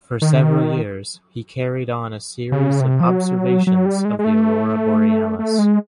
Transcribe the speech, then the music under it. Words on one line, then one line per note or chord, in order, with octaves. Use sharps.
For several years, he carried on a series of observations of the aurora borealis.
D#3
D3
D#3
C#3
C3
F3
F#3
F#3
G3
G#3
G#3
A3
A3
G#3